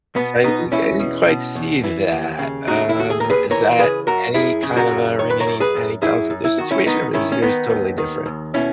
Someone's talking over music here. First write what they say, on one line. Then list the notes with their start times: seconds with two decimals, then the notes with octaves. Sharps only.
I didn't I didn't quite see that. Um, is that any kind of a ring any any bells with this situation, or was yours totally different?
0.16 B2 B3
0.44 B2 B3 D#4
0.72 E2 C#4 E4
0.99 B2
1.28 B2
1.55 E2
1.84 E3
2.12 D#2
2.39 C#3
2.67 D#2 D#4 F#4
2.89 E4
2.95 D#2 F#4
3.10 G#4
3.20 D#2 A#4
3.30 G#4 B4
3.51 E3 A#4 C#5
3.79 C#3 G#4 B4
4.07 F#2 F#4 A#4
4.34 F#2 E4 G#4
4.63 C#3
4.77 F#4 A#4
4.91 F#2
5.19 D#3 C#5
5.30 B4
5.40 A#4 C#5
5.47 F#2
5.60 G#4 B4
5.75 F#2
6.02 F#2 E4 G#4
6.30 F#2
6.44 E4
6.58 D#3 F#4
6.71 C#4 E4
6.86 D#3 B3 D#4
7.14 D#3 C#4 E4
7.32 C#4
7.42 D#3 B3 D#4
7.70 D#2
7.98 D#3
8.26 D#2
8.54 B2 C#4 E4